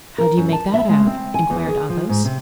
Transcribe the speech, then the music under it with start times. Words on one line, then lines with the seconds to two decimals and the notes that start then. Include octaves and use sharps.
"How do you make that out?" inquired Athos.
0.18 A#4
0.37 F#2
0.52 A5
0.74 E5
0.89 G#3
1.07 C4
1.34 G#5
1.50 E2
1.68 G#4
1.90 F3
2.09 G#2
2.25 C3